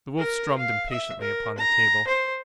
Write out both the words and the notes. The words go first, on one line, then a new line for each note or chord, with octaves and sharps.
The Wolf strummed impatiently upon the table.
A#4
F5
E5
A#4
A#5
C5